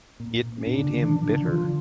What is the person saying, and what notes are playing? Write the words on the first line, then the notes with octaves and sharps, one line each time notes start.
It made him bitter.
A#2
C#4
A#2 D4
C#3
D3
E3
F3
A#2
C#3
D3
E3 F4
F3
D3